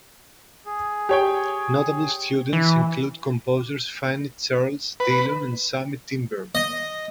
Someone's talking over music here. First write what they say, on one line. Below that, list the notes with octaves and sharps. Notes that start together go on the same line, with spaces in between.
Notable students include composers Fannie Charles Dillon and Sammy Timberg.
G#4
G4 C#5 G5
E3
B4
D#5